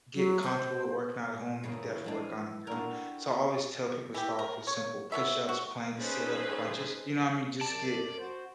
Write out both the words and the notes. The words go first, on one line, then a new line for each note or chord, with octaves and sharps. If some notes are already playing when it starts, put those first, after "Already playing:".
get comfortable with working out at home, you could definitely work on the gym. So, I always tell people to start off with simple push-ups, planks, sit-up, crunches, you know what I mean? Just get
F#3
C5
G2 A#2 C#3 E3 E4
F3 G#3 D4
A4
G3 D4 F#4 A#4
E3 G4
A#4
C#5
B3 C#5 E5
F#4
C#4 D#4 G#4 A4 B4 C5
F#2 D5 A5
F#4 C5